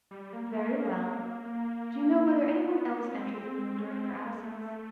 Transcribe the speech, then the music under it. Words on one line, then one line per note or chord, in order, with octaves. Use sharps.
"Very well; do you know whether any one else entered the room during your absence?"
G3
A#3
A#3
B3
C#4
C4
C#4
C4
B3
A#3
G#3
A3